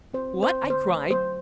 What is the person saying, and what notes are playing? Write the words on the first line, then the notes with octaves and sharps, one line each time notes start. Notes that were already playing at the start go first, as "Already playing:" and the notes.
"What!" I cried.
C4 C5
C4 C5
D3
C5
A3
F#3 C5